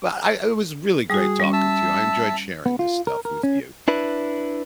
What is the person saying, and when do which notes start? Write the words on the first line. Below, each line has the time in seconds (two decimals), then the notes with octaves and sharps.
But I it was really great talking to you. I enjoyed sharing this stuff with you.
1.10 G3 F#4 G#4
1.39 G3 C#4
1.53 E5 A5 E6
2.66 B3
2.79 F4
3.07 A#4
3.25 A#4
3.43 C#4
3.88 D4 E4 B4